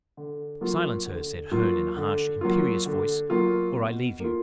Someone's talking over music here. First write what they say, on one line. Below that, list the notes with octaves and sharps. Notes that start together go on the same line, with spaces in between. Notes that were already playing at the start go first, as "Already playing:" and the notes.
"Silence her!" said Herne in a harsh, imperious voice, "or I leave you."
D3
F#3 A#3 F4
D3
F#3 A#3 F4
D3
F#3 A#3 F4
D3
F#3 A#3 F4
B2
A#3 F4